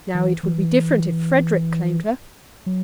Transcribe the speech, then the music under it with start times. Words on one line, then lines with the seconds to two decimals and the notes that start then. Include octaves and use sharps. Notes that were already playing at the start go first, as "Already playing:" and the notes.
Now it would be different if Frederick claimed her.'
0.15 E3
0.43 E3
2.66 F#3